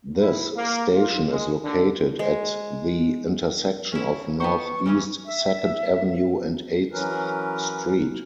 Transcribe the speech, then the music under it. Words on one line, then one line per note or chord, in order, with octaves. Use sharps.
This station is located at the intersection of Northeast Second Avenue and Eighth Street.
E4
A#3
F4
G#3
D3
G#3
C#4 E4
B3 F#4 C5 C#6
C#3 E3 C#4
E5
E3 F#3 C#4 A#4 B4